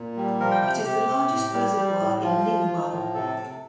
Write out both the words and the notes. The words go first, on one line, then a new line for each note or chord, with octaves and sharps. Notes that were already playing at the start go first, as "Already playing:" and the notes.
It is the largest reservoir in Ningbo.
Already playing: A#2
G3
F3 A#4
G5
C3 G5
C3 G4
C3
A2
G3
G3
A2
F3 F4
F3
F3
A2
C3 A4
C3